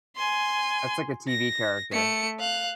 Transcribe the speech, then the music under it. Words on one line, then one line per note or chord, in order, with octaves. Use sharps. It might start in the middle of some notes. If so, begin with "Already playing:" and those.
That's like the TV character.
G#5 C6
A#6
A3 C#7
F5 F#6